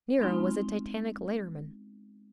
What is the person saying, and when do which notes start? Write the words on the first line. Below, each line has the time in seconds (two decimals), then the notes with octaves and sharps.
Nero was a titanic lighterman.
0.19 G#3 B3 C4 D4 D#4 F4